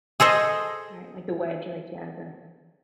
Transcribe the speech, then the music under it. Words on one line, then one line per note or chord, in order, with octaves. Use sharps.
Right, like the wedge, like, yeah, the
G#4 A4 C5 D#5